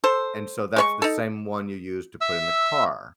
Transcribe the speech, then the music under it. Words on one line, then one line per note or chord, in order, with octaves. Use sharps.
And so, that's the same one you use to put in the car.
A4 C5
G#3 C#5 C#6
D#4 A4
E5 E6